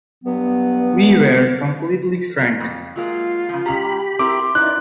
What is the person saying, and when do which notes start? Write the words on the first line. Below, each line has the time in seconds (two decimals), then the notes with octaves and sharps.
We were completely frank.
0.24 G2 F#3 B3
2.60 F2
2.96 F#3 G#3 A#3 F4
3.49 C#3 F3
3.66 G#3 C#4 G4 A#5 B5
4.19 C4 E4 A#4 C6 D6
4.55 F#2 D#4 E4 B4 D5 F#6